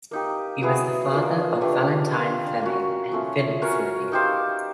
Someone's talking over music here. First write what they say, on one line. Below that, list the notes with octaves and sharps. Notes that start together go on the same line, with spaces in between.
He was the father of Valentine Fleming and Philip Fleming.
A#3 D#4 G4
F#3 B3 E4 G#4
F3 A#3 D#4 G#4
A3 D4 G4 B4
C4 F4 A#4
A#3 C#4 F#4
F3 A3 C#4
C#4 F#4 A#4 C#5
D#4 G4 C5 F5